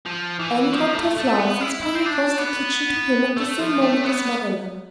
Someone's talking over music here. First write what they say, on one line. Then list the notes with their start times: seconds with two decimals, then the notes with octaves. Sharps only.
Anne dropped her flowers and sprang across the kitchen to him at the same moment as Marilla.
0.06 F3
0.39 E3
0.73 F3
0.95 A3
1.17 A3
1.39 B3
1.61 E4
1.83 E4
1.95 C4
2.05 D4
2.38 B3
3.37 A3
3.59 F3
3.81 A3
4.04 B3